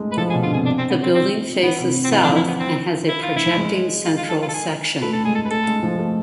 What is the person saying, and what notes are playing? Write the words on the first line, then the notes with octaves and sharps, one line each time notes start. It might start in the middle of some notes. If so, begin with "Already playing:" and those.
The building faces south, and has a projecting central section.
Already playing: G#3 A3
B4
F3 A4
G#4
B2
D3 F4
C3 G#4
D4
C4
B3
C4
C4
E3 B3
C3
C4
E3 B3
F3 D4
E3
E4
B3
C4
E4
F4
E3 E4
F3
G#3
F4
F4
A4
F4
A4
G#4
A3 B4
A4
G#3 G#4
A4
B4
A3 A4
G#3
F3
A3